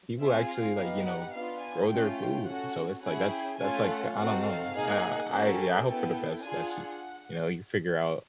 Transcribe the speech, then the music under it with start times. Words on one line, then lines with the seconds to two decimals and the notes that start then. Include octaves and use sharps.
people actually, like, you know, grow their food, so it's, like, that's that's, like I don't know. I I yeah, hope for the best that she you know, you figure out
0.19 C4 F4 G#4 E5
0.48 F5
0.76 B3 D#4 G4
1.04 F#5
1.33 B3 D4 F4 F5
1.62 G#5
1.89 A3 C#4 F4 G5
2.46 C#4 F#4 A4 F#5
3.03 C#4 E4 G#4 F#5
3.31 G5
3.60 A3 C#4 F4 A4 G#5
3.89 F#5
4.17 C4 D#4 F#4 A4 F#5
4.46 F5
4.74 A#3 D#4 G#4
5.02 F#5
5.31 A#3 C#4 F#4 A4
5.59 G5
5.88 B3 E4 A4
6.44 D4 F4 G#4 G#5
6.73 F#5